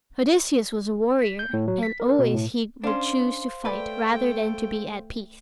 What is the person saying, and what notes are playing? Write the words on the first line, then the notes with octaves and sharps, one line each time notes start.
Odysseus was a warrior, and always he would choose to fight rather than to be at peace.
B6
G6
A2
F#3
B6
A#4
B2
A2
C#4 D4 C5 F5 C6
A3 B4 D5 G5